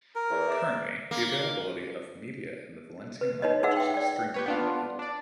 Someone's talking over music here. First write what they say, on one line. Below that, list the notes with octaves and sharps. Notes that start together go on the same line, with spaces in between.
Currently, the availability of media in the Valencian language is extremely limited.
A#4
E2
D5 E5
A#3
B4
D#4 B4 C#5 D#5
D#4 G#4 B4 E5 F#5 E6
E5 G5
D5 G5
G4 B4 C#5
B3 D4 F4
D4 D5